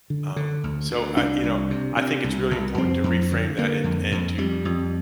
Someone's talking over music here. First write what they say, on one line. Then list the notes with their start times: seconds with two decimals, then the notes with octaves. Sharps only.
Um, so, uh, you know, I think it's really important to reframe that and and to
0.10 D3
0.36 D3
0.64 D2
0.91 D2
1.17 C2 D4
1.44 C2
1.71 C3
1.97 C3
2.24 C2
2.51 C2
2.78 F2 C4
3.04 F2
3.32 D3
3.58 D3 A#3
3.84 F2
4.12 F2
4.38 F2 G3
4.65 F2